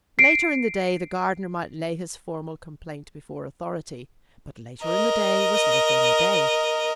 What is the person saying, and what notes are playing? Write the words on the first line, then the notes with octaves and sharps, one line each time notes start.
Later in the day the gardener might lay his formal complaint before authority, but later in the day was later in the day.
C7 D7
A#4 D#5